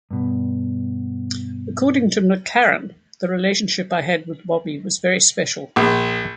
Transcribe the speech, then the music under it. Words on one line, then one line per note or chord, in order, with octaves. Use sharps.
According to McClaren, The relationship I had with Bobby was very special.
G2 B2
A#1